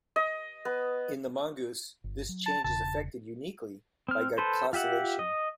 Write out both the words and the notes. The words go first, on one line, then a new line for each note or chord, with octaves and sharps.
In the mongoose, this change is effected uniquely, by glycosylation.
D#5
B3
G1
F#3
A5
E1 A#1 C#3 A5
C4 F6
A4 B4 C5
F4 G4 E5 F#5
D#5